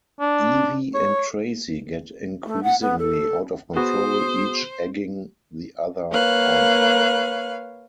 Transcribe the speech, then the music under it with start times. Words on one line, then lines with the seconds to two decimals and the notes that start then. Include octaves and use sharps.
Evie and Tracy get increasingly out of control, each egging the other on.
0.20 D4
0.94 C#5
2.45 A3
2.63 F#5
2.81 B3
2.98 A4
3.76 B3 F#4 G#4 C5 D#6
6.11 A#3 B4 C#5 F5 F#6